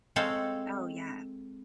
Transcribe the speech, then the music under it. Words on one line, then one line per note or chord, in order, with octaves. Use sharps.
Oh, yeah.
G#3 C4 A4 C#5 F5